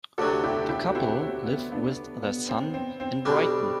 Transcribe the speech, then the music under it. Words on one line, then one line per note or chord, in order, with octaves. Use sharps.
The couple live with their son in Brighton.
D2 C3 F#3 F#4 A4
E4 G4
E4 G4
F#4
C4 E4
C4
B3
B3 D4
B3
C4
C4
C4
B1 B2 G3 D4